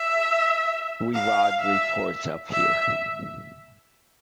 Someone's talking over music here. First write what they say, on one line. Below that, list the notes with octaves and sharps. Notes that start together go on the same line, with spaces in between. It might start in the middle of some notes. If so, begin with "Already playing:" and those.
We’ve odd reports up here.
Already playing: E5
F5
E5
E5